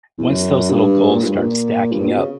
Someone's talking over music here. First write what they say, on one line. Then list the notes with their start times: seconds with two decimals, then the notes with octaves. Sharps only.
once those little goals start stacking up,
0.18 E2
0.29 F#2
0.69 G2
1.10 A#2
1.24 G2
1.37 A#2
1.92 G2
2.01 A#2
2.08 B2
2.17 C#3